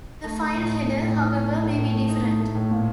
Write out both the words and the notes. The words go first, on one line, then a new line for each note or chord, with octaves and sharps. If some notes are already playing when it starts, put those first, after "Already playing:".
The file header, however, may be different.
A3
A3
A2
D#4
A3
A2
D#4
D#4
A3
A2
A2
A3
D#4
D#4
A3
A2
A#2